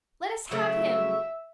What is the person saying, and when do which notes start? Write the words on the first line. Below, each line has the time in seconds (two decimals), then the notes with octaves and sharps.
Let us have him!'
0.51 C#3 F#3 A3 E5